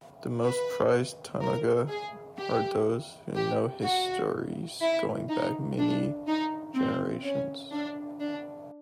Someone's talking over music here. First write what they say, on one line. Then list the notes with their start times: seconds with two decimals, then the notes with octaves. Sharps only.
The most prized taonga are those with known histories going back many generations.
0.43 B4
1.40 A#4
1.88 G#4
2.37 G4
3.34 G4
3.83 F#4
4.81 E4
5.29 D#4
5.78 D4
6.27 D#4
6.75 C4
7.23 C#4
7.71 D4
8.20 D4